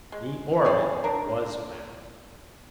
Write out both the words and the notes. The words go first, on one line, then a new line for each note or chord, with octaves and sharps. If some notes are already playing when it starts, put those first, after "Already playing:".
The orbit was found.
G#3
C4 G#4 C#5 D5
D4 A#4